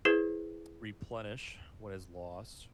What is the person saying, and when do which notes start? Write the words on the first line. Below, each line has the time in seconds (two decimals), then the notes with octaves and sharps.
replenish what is lost,
0.05 E4 G#4 B4 C5